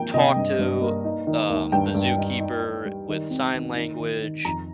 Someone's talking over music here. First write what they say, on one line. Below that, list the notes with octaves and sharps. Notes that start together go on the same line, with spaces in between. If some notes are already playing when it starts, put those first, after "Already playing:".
talk to, um, the zookeeper with sign language,
Already playing: F3 A#3 G5
C3 D#5
G2
G2
A#3
D#4
D#3
D#2
G2 G5
G2
D#4
D#4
D#4
G3
D#3
C4
D#3
D#3
D#3
D#3
F2 A#5